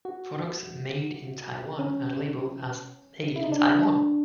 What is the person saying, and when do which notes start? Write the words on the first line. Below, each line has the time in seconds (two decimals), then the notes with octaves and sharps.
Products made in Taiwan are labeled as "Made in Taiwan".
0.05 F#4
1.79 C#4
3.36 E4
3.44 D#4
3.52 D4